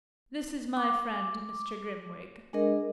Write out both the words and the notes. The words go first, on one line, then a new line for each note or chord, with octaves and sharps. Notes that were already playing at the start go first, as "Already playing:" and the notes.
'This is my friend, Mr. Grimwig.
D6
G#3 D4 G#4 A#4 D#5